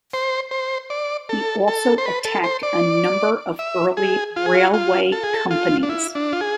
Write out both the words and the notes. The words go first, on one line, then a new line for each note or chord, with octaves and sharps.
He also attacked a number of early railway companies.
C5
C5
D5
A4
A4
C5
B4
A4
C5
D5
E5
G#4
F4
G#4
F4
F4
A4
G#4
A4
F4
D4
E4
D4
F4
G#4